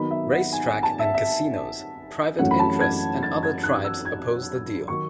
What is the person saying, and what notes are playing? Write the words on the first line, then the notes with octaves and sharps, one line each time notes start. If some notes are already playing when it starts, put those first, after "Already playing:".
Race track and casinos, private interests and other tribes opposed the deal.
Already playing: D#3 F#3 B3 D#4 B5
E5
F#5
G#5
G#5
A5
E5
E5
F#2 E3 A3 C#4 F#5
B5
A5
G#6
A6
G#6
F#6
E6
G#6
D#3 F#3 C#6